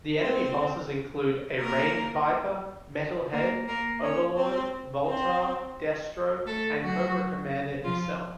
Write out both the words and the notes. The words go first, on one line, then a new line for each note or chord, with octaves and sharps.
The enemy bosses include a Range-Viper, Metal-Head, Overlord, Voltar, Destro and Cobra Commander himself.
C4 C5
A#3 A#4
A#3 A#4
A#3 A#4
C#4 C#5
C4 C5
C4 C5
A3 A4
F#3 F#4
F3 F4